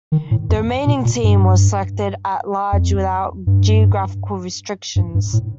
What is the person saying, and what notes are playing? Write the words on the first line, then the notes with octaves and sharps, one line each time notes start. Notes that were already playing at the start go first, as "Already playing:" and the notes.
The remaining team was selected at-large without geographical restrictions.
D#3
A2
F2
A#2
A#2
G2
F2
G2
G2
G2
A2